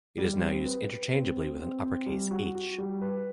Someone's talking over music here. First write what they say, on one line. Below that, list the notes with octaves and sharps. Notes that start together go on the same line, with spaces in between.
It is now used interchangeably with an uppercase "h".
G3
C4
B4
B4
C4
C4
C4
C4
G3
F#4
F#4
G3
B4